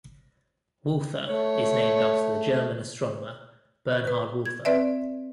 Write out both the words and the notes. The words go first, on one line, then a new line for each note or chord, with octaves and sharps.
Walther is named after the German astronomer Bernhard Walther.
A3 C#5
B4
G#6
C4 B4 D5 E5